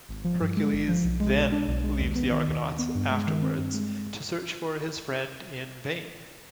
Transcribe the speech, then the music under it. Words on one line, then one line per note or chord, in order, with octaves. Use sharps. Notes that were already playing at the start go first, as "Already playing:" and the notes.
Hercules then leaves the Argonauts afterwards to search for his friend in vain.
G#1
F3
G2
G#3
G#1
F3
B1
G#3
B2
D4
B1
G#3
D#2
B3
D#3
D#2
D#2
B3
G2
G#3
D#3
C4
G2
G#3